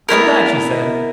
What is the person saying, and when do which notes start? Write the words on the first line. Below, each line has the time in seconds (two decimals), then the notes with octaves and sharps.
"I'm glad," she said.
0.09 B3 C#4 E4 A#4